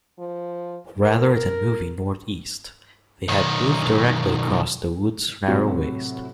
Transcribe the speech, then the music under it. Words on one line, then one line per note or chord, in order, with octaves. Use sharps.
Rather than moving northeast, they had moved directly across the wood's narrow waist.
F3
A#4
B1 D#3
A2 C3 F#3 F#4